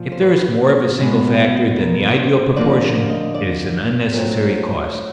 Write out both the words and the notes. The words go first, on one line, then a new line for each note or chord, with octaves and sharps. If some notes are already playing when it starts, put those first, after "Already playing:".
If there is more of a single factor than the ideal proportion, it is an unnecessary cost.
Already playing: A#2 F3
C5
B4
B2 G#3 B3
A#4
C5
D3 F3 A#3 D5
D5
D#5
D5
A#2 F#3 A3 C4